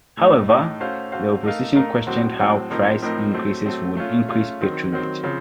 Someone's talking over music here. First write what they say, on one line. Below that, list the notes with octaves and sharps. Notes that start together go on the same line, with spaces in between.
However the Opposition questioned how price increases would increase patronage.
A2 A3 D#4
A2 A3 D#4
A3 C#4 F#4 C5 F5
A3 C#4 F#4 C5 F5
A3 D#4 A#4 F5
A3 D#4 A#4 F5
A2 F#3 C4 F#4 C5
A2 F#3 C4 F#4 C5
A2 F3 C4 D#4 A#4
A2 F3 C4 D#4 A#4
F#3 A3 C4
F#3 A3 C4
A3 C#4 F4
A3 C#4 F4
D#3 F#3 C4
D#3 F#3 C4
C#3 F3 C4